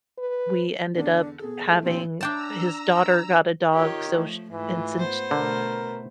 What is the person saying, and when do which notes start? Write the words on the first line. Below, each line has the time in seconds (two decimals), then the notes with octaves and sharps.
we ended up having his daughter got a dog, so sh and since
0.18 B4
0.95 E2 D3 D4
1.39 B2 G#4 A4
1.66 A3 E4
1.83 A1 A#2 D#3 C4
2.21 D4 G5 A5 A#5 E6
3.73 D#3 F4 G4 C#5
4.12 F3 A3
4.52 G#2 E3 A3 F4
4.98 B3 C5
5.31 B2 D3 A3 A#4